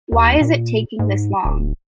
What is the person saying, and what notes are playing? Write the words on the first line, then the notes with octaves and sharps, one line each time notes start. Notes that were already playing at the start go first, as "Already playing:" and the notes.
Why is it taking this long?
D#2
A#2
G#2
D1